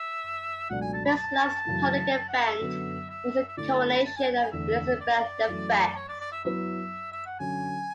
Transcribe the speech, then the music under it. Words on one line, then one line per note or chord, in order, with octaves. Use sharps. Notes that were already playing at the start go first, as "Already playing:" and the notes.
Will's last public event was the coronation of Elizabeth the First.
Already playing: E5
C#2 B2 F#3 A3 D4 F#5
G#5
A5
B5
A5
F#2 C#3 E3 A3
A5
F#5
E5
F#2 D3 F#3 B3 F#4
E5
E5
D3 A3 E4 D5
A5
B5
A5
G#5
G#5
E2 D3 A3 E5
D5
F#2 E3 A3
C#5
D5
D5
E5
F#3 B3 E4 B4 E5
E5
F#5
D3 F#3 C#4 G#5